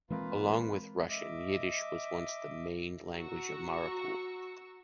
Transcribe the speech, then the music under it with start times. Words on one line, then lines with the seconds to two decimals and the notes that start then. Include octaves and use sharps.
Along with Russian, Yiddish was once the main language of Mariupol.
0.10 E3 G#3 A#3 C4 F4 B4
1.09 D#5 E5 D6
3.15 F#4 A#5 C#6 E6